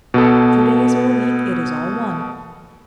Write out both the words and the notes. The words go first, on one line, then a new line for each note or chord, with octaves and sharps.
Two days or a week, it is all one.
B2 B3 A4